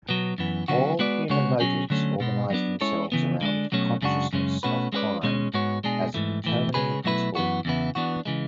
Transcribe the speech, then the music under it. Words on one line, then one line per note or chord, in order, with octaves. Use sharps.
All human motives organize themselves around consciousness of kind as a determining principle.
B2 F#3 B3
F#2 E3 B3
D3 F#3 B3 F#4
G#3 B3 F#4 B4 D5
C#3 G#3 B3 F#4 C#5
B2 F#3 C#4 G#4
D3 F#3 A3 C#4
B2 G#3 B3
F#3 B3 D4
G#3 C#4 E4 A4 C#5
C#3 E3 B3
D3 G#3 D4
B2 F#3 A3 C#4
F#2 C#3 G#3 D4 F#4
F#2 C#3 G#3 C#4
B2 A3 C#4 F#4 B4
G#3 C#4 F#4 B4 D5
B2 G#3 C#4
G#2 G#3 B3 F#4 C#5
B2 G#3 D4 G#4
G#2 E3 A3
A2 E3 A3
C#3 G#3 C#4 G#4 B4
B2 F#3 A3 E4 B4
F#2 E3 B3 F#4
E2 C#3 E3 B3 E4
E3 B3 D4 F#4
C#3 E3 G#3